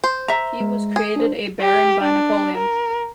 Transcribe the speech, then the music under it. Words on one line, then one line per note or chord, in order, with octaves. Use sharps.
He was created a baron by Napoleon.
C5
E5 A#5
G#3
G#4
D4 C5
G4
D4
A#4